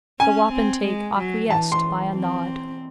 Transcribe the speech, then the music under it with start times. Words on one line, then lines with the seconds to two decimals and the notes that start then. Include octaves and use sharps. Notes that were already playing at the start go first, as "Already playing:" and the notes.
The wapentake acquiesced by a nod.
0.20 C#4 G#5
0.52 C4
0.85 G#3
1.18 F#3
1.50 E3 A5
1.72 C6
2.15 C4